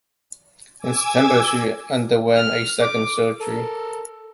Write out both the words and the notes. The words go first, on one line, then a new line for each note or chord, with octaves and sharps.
In September, she underwent a second surgery.
G#5 D6 E6 G#6
F6
D6
A4 A#4